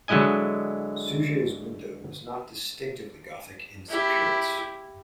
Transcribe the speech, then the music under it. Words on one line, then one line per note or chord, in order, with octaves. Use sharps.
Suger's window was not distinctively Gothic in its appearance.
D3 F#3 G#3 E4 D#5 G#5
E4 G4